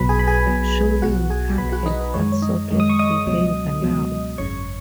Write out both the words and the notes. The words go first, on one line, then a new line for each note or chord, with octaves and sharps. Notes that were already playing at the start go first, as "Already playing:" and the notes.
Surely we can't have that sort of behaviour now?
Already playing: B1 B2 F#3 B4 B5
G#4 G#5
B5
G#4 G#5
B1 B2 F#3
B1 B2 F#3 F#4 F#5
G#4 G#5
B1 B2 F#3 B4 B5
F#4 F#5
D#4 D#5
B4
F#2 D#3 G#3 C#5
C#5
D#4 D#5
F#2 D#3 G#3
D#6
C#6
D#5 D#6
C#2 B2 F#3
C#2 B2 F#3
G#1 F#2 C#3 C#5 C#6